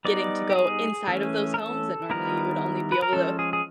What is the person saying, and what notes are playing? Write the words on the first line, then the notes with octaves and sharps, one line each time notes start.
Getting to go inside of those homes that normally you would only be able to
G3 B3 D#4 D5
G4
G#4
E3 A3 C#4
A#4
A4
D#3 G3 B3 E4 A#4
B4
A#4
F3 G#3 C#4 A4
G#4
G#4